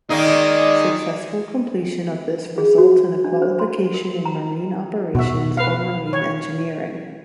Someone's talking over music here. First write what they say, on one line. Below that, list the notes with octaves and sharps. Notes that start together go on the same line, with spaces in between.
Successful completion of this results in a qualification in marine operations or marine engineering.
D#3 A#3 D#4 G#4 D5 D#5
G#4
F#4
D4
C5
C6
A#4
A#5
B2 F#4 E5
B4 F5
C#5